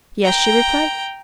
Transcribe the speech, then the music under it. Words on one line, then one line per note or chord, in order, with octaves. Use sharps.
"Yes," she replied.
G5 A#5